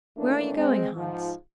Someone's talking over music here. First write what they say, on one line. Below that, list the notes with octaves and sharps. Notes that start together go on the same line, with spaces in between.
'Where are you going, Hans?'
D#3 E3 A3 A#3 C#4 D4
G#3 C4
G#2 F3